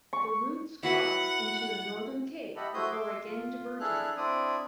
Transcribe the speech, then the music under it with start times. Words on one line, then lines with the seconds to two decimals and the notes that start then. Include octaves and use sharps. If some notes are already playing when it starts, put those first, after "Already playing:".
The routes cross into the Northern Cape before again diverging.
0.13 C#6
0.83 E4 F#4 B4 F#5
2.56 G4 D#5 E5 F#5 A5 B5
2.74 A3 E4 F#4 C5 D#6 G6
2.91 E5 C6 D6
3.25 F4
3.80 D4 E4 G#4 A4 F6 F#6
4.17 C4 D4 E4 D5 D#6